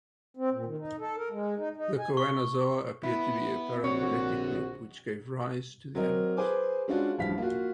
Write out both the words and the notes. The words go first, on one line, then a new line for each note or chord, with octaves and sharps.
The Choanozoa appear to be a paraphyletic group which gave rise to the animals.
C4
A#2
D#3
D#4
A4
A#4
G#3
D#4
D#4
G#5
C#6
B3 E4
A#1 D3 C4 F#4 C#5 D5
F#3 C4 A#4 D#5
G#4 B4 C5 G#5 D6
G#3 C#4 D4 F4 F#4
A1 G2 F3 F5 B6
A#3 F4 F#4